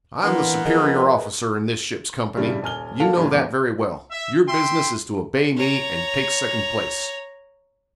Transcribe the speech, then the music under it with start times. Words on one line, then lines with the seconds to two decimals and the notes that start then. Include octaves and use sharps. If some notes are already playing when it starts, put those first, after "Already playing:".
I'm the superior officer in this ship's company--you know that very well--your business is to obey me, and take second place.'
0.23 E3 A#3 B3 D4 C6
0.65 F3 G#4 A#4 B4 D#5 G#5 F#6
2.37 G2 C#3 G3 E4
2.63 D#1 G#5 F6 G7
3.00 A#3 F#4 A4 F5 A5 F7
3.16 G1 G2 A#2 G3
3.31 E2 B3 D6
4.11 E5
4.46 E5 G5 C6
5.57 C#5 A#5